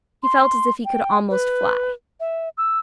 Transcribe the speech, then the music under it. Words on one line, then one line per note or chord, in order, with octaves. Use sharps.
He felt as if he could almost fly.
C6
G5
B4
E5
E6